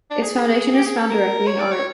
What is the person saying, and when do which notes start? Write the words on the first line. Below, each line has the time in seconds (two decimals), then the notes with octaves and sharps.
Its foundation is found directly in art.
0.11 D4
0.23 G#4
0.35 G#4
0.73 G4
0.85 G#4
0.97 A4
1.10 A#4
1.47 C#5
1.60 D5
1.72 C#5